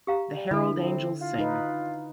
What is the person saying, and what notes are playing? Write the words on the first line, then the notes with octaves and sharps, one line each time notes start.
The Herald Angels Sing.
G4 F5 A#5
G3
D3 E3 E4 A4 B5
C4
F4
D#4 B4